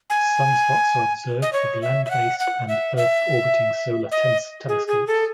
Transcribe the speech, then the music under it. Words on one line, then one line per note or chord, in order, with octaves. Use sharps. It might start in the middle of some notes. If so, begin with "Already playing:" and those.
Sunspots are observed with land-based and Earth-orbiting solar telescopes.
G#5
D#5
C#5
E5
E5
F#5
F#5
E5
E5
D#5
G#4
G#4
A4